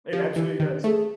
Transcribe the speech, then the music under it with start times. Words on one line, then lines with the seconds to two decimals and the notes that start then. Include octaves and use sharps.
It absolutely does.
0.12 F3 G4
0.36 E3
0.60 D#3
0.84 A3 G#4